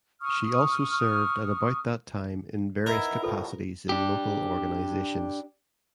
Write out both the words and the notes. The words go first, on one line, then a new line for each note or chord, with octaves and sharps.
She also served at about that time in various capacities in local organizations.
C#6 D#6 F6
B3 D#4 E4 A#4 A#5
C2 F2 A2 F4 A4 B4
D4 G4